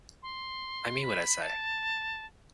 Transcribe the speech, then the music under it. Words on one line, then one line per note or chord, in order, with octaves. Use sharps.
I mean what I say.
C6
B5
A5